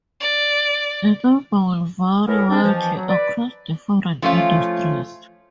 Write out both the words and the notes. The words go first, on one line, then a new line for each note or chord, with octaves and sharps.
The number will vary widely across different industries.
D5
B3 C#4 E4 A4 A#4
G#2 C4 D4
B2 E3 F3
F#3
B4 D5
F3 A3 C#4 F4